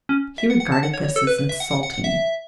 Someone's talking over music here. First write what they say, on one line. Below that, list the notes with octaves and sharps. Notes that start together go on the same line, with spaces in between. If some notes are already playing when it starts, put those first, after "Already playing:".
He regarded this as insulting.
C#4
E5
F#5
F#5
A5
F#5
C#5
C#5
A4
B4
B4
E5
F#5
F#5
F#5
F#5
E5